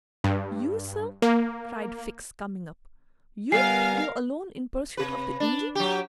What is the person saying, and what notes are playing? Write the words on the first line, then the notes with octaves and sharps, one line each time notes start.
"You, sir!" cried Fix, coming up; "you go alone in pursuit of the Indians?"
G2
A#3
G3 B3 A#4 F5 G#5 C7
C3 B4
D4
F#3 G4